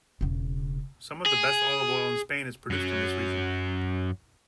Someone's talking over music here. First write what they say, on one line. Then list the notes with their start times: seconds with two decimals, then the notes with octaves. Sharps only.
Some of the best olive oil in Spain is produced in this region.
0.21 E1 C#3
1.26 G#4
2.70 F#2 F#3